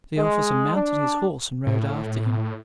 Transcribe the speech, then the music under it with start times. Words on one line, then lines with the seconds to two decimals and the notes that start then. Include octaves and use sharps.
The officer mounted his horse and rode after him.
0.17 G#3
0.76 D4
1.67 A2